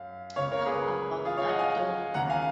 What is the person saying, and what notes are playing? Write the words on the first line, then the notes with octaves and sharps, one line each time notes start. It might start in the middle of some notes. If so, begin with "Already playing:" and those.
How about that door?
Already playing: F#2 F5
C#2 C#3 C#5 F5
A#4 C#5
G#4 B4
F4 G#4
C#5 F5
D#5 F#5
F5 G#5
D#2 C#3 F#5 A#5
F5 G#5